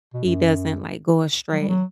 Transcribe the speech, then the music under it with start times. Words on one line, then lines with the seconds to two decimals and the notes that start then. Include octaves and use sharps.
he doesn't, like, go astray.
0.14 B2
0.25 F#2
1.52 F#3
1.61 G3
1.69 F#3